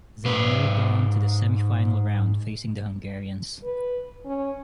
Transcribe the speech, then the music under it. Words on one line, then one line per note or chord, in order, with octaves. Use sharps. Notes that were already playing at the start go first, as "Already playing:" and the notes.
They moved on to the semifinal round, facing the Hungarians.
G#2 B4
B4
C#4